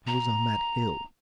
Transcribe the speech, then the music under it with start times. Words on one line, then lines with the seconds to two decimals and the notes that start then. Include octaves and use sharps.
"I was on that hill."
0.07 A#5